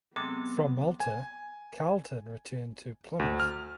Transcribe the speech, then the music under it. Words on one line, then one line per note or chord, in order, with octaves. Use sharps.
From Malta "Carlton" returned to Plymouth.
C3 F#3 G#3 B3 C4 A4 D6
G#5
D2
F6